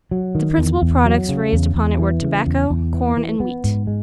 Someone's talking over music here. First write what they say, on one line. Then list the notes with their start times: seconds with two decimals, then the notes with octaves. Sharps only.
The principal products raised upon it were tobacco, corn, and wheat.
0.11 F#3
0.35 D#3
0.58 E2
0.82 E2
1.05 F#3
1.29 C#3
1.53 E2
1.76 E2
1.99 E3
2.22 C#3
2.47 E2
2.70 E2
2.94 E3
3.17 E3
3.40 B3
3.64 G#2
3.87 G#3